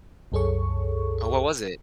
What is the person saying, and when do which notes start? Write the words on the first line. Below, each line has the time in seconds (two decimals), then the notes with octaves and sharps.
Oh, what was it?
0.32 C2 F#2 G#4 A4 C#5 C#6